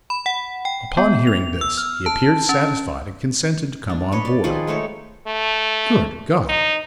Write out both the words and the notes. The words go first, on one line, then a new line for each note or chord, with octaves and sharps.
Upon hearing this he appeared satisfied and consented to come on board. Good God!
B5
F#5
G5
B3
F7
E6
F6
A5
C#4
D4
B4 C#5 D#5
D5
D#3 F3 G#4 B4
G#3 A3 D#4 C#5
A3
D#4